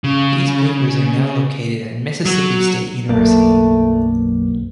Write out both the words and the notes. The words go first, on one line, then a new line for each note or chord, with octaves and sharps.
These papers are now located at Mississippi State University.
C#3
F#3
B1 F#2 A3 A#3 B4 D5